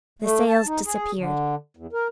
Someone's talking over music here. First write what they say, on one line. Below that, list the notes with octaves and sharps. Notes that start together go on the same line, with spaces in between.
The sails disappeared.
A3
A5
D#4
G#4
D3
E2
A#4